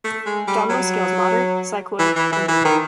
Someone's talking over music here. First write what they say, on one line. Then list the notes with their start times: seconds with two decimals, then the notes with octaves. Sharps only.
Abdominal scales moderate, cycloid, imbricate.
0.04 A3
0.26 G#3
0.47 G3
0.70 F#3
1.99 E3
2.16 E3
2.32 E3
2.48 E3
2.65 D#3